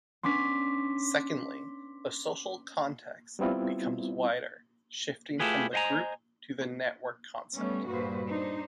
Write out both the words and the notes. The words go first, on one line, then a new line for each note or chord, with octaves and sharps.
Secondly, the social context becomes wider, shifting from the group to the network concept.
B3 C#4 D4 C6 D6 B6
G3 B3 C4 E4 F4
A3 E4 F4 G4 G#4 B4
C5 D#5 F5 G#5 A#5
G3 A3 B3 C#4
G2 A#2 F#4 B4 C5
D4 D#4 C5